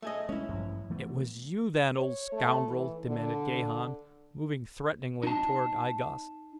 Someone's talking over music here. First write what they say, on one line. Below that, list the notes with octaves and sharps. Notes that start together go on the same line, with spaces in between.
"It was you, then, old scoundrel?" demanded Gahan, moving threateningly toward I-Gos.
A3 G#4 D#5
G#3 C#4 E4
A1 G2 F3
E3 A3 B3
C#5
A3
E3
D3
D#4 A5